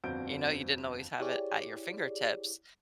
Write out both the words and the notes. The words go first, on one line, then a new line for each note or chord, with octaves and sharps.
you know, you didn't always have it at your fingertips.
G1 F2 C4 F#4 G6 D7
E4 G4 G#4 C#5 D5